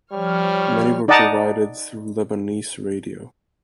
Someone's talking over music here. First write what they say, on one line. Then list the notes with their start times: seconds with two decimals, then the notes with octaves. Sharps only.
Many were provided through Lebanese radio.
0.12 F3 G3 C#5 F6
1.08 D#4 D5 D#5 F#5 A5 A#5